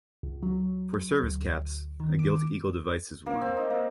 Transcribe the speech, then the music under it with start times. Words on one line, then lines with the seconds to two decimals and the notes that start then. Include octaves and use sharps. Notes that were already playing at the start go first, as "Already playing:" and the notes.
For service caps, a gilt eagle device is worn.
0.23 C#2
0.43 F#3
1.23 D2
2.00 D#3
2.19 D6
3.26 A#3
3.41 C4
3.57 D#4
3.70 A#3